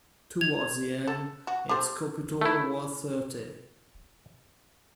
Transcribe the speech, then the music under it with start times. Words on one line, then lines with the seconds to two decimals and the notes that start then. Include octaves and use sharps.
Towards the end, its capital was Cirta.
0.41 G#6 F7
1.08 A4
1.47 F#4
1.69 G4 A4 C5
2.41 A3 E4